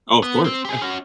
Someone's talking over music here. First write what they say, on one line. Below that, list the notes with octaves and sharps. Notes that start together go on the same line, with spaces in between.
Oh, of course, yeah.
B3
C4
G4 G#4
C#4 F#4